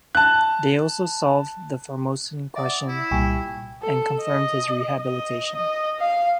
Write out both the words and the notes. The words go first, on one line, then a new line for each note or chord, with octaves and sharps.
They also solved the Formosan question and confirmed his rehabilitation.
A5 F#6
D5 E5 F#5 D#6
E4
C2 A#2 G3 G5 G#5 C#6
A4
D#5
D#5
D#5
F5